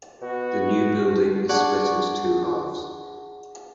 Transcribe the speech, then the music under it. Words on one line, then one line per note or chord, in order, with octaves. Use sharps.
The new building is split into two halves.
B2 F#4
D4 G#4 D5 F#5 A5 C#6